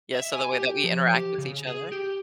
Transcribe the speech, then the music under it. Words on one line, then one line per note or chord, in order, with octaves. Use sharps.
Yeah, so the way that we interact with each other.
E5
G#5
G4
F3
G4
C#3
G#4
G4